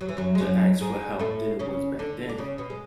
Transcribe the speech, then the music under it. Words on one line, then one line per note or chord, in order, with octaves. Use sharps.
to ask for help than it was back then?
F#3
E3
F#2 F#3
G#3
F#2 F#3
G#2 G#3
A2 A3
C#3 C#4
D3 D4
D4
C#3 C#4
B2 B3
G#3